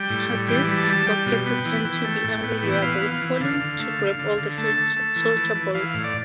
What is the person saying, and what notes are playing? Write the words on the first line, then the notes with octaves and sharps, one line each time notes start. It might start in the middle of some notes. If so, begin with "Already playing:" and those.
These sockets tend to be unreliable, failing to grab all the solder balls.
Already playing: G3 G5
A2
G3
E3 G5
G3
A5
G3
A5
G3 G5
B2
B3
E3
E3
A3
A2
B3
E3
G5
B3 F5
B3 F5
F5
E3
D3 F5
D3
A3
D3
D3
D3
A3 A5
A3
A3
E3
E3
E3
E3 F5
A2 F5
D5